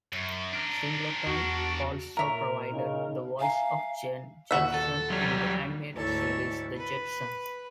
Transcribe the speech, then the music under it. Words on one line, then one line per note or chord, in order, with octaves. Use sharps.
Singleton also provided the voice of Jane Jetson in the animated series "The Jetsons".
F#2
D4 A#4
E2 F#4
A#2 A#4 C#5 E5 A#5
C#3 D#4
E5 F5 G#5 A#5
D#2 A#2 F#4 E5
A4
F#3 G3
D2 G#2 E4 A4 C#5
B4